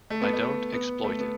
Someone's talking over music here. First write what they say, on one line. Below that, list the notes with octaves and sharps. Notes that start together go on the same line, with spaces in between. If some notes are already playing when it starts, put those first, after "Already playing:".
I don't exploit it.
A3
B3
A3
B3
A3
B3